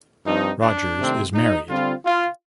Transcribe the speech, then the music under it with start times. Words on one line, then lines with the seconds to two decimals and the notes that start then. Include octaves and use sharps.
Rogers is married.
0.25 G2 F3 C4 D#4
0.61 D4
0.97 C3 D#3 A3 C4
1.33 D#4
1.68 D3 G3 C4 F4
2.04 F4